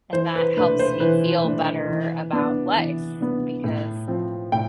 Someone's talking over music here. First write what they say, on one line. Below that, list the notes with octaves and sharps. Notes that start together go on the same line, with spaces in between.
and that helps me feel better about life because
E3 C5
B4
A3 D4 B4
C5
E3 B4
A3 D4
E3
B3 D4
E3
B3 D4
A2
F3 C4
A2 G5